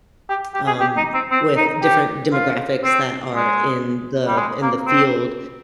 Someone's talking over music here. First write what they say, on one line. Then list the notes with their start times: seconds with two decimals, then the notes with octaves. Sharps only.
um, with different demographics that are in the in the field
0.29 G4
0.54 G4
0.67 G#4
0.80 G4
0.97 D#4
1.14 C4
1.31 C4
1.57 D#4
1.82 G4
2.33 F4
2.84 C4
3.35 G#3
4.27 G3
4.37 G#3
4.62 A#3
4.87 C4